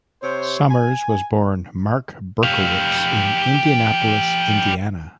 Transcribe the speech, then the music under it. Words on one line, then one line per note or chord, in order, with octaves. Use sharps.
Summers was born Marc Berkowitz in Indianapolis, Indiana.
C3 C5 C#5
G#5
G4 F5